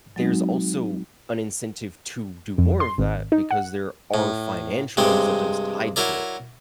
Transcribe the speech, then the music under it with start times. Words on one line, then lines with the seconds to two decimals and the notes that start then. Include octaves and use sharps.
there's also an incentive to do more of that because there are financial incentives tied to it,
0.16 F#3 G#3 C4 D#4 F#4
2.58 F2
2.80 C6
2.98 G#1
3.32 D#4
3.51 F#5
4.14 A2
4.97 G2 C3 G#3 C4
5.96 F#3 E4 A#4 D5